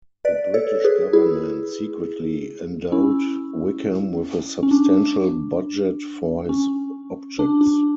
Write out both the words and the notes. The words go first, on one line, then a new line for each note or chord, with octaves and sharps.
The British government secretly endowed Wickham with a substantial budget for his objects.
B4 D5
A4 C#5
G#4 B4
E4 G#4
C#4 E4
C#4
D4
C#4
D4
D4